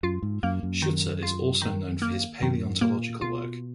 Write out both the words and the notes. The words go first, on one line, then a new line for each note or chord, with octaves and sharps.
Scheuchzer is also known for his paleontological work.
F#2 F4
G#2
F#2 A#3
F#2
D#3
F4
D#3
A#3
F#2 D#3
A#2 A#3
B2 F4